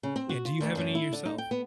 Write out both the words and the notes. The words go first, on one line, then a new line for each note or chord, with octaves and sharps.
Yeah, do you have any yourself?
C#3
C4
F#4
F4
D2
F#2
E4
D3
D#4
G5
B3